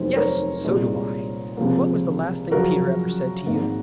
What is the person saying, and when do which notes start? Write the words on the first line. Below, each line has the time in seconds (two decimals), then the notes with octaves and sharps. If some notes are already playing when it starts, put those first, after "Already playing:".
"Yes, so do I. What was the last thing Peter ever said to you?"
Already playing: F1 D#2 D#3 F#3 C5
0.16 A#4 C#5
0.64 C2 A#2 G#3
1.57 C#2 C3 F3 A#3
2.51 F#2 C#3 F3 F#4 A#4
3.46 G#1 G#2 D#3 A#3